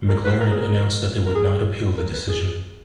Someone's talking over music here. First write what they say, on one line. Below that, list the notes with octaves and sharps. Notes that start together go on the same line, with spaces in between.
McLaren announced that they would not appeal the decision.
A#4
B4
A#4
G#4
A#4
A#4
G#4
A#4
B4
G#4